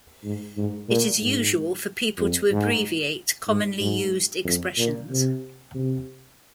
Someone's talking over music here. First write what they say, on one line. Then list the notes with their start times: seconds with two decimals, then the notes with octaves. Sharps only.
It is usual for people to abbreviate commonly used expressions.
0.24 G#2
0.57 G#2
0.89 A#2
1.22 G#2
2.18 F2
2.51 G#2
3.48 G#2
3.80 G#2
4.45 F2
4.78 A#2
5.10 C3
5.74 C3